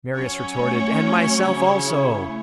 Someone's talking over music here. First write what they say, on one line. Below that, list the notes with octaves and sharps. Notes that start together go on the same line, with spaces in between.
Marius retorted: "And myself also."
F#3 C#4 C#5
A3
F#3
C#3
E4
A3